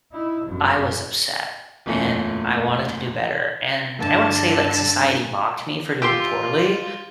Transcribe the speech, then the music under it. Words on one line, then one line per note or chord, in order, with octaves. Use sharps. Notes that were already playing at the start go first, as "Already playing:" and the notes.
I was upset, and I wanted to do better. And I wouldn't say, like, society mocked me for doing poorly,
D#4 E4
G1 F#2
F#1 E2 A#2 A3 C#4 G#5
G2 D3 A5
F4 G4 G5 C6 E6